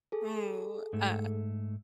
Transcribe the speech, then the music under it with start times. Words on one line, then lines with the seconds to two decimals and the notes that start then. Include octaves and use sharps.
Ooh, uh,
0.12 G#4 A4
0.93 G#2 A3